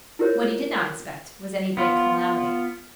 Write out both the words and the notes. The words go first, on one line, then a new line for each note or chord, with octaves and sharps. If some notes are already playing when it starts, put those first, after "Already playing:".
What he did not expect was any big calamity.
E4 F4 G4 A#4 C5 C#5
B3 F4